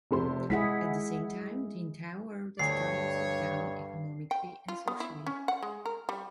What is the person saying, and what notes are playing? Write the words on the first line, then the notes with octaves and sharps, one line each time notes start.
At the same time, the entire world is turned upside-down economically and socially.
F1 C3 C6
G#3 E4 G#4 F#5 B6
D2 G2 C#5 C7
G5
F4
B3
E4
C#4
F#5
G#3
A#4
G3